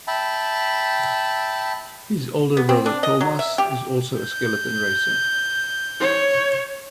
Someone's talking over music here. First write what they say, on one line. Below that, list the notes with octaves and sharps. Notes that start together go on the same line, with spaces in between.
His older brother Tomass is also a skeleton racer.
E5 G5 A5 B5
B3
C4
D4
D#5
F#3
E5
G4
G6
C#5